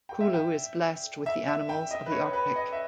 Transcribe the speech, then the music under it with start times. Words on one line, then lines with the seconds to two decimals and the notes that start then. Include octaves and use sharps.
Kulu is blessed with the animals of the Arctic.
0.09 G5
0.20 E5
0.34 G5
1.26 E5
1.48 E5
1.69 G5
1.91 D#5
2.06 B4
2.12 C#5
2.33 B4
2.56 D#5
2.73 E5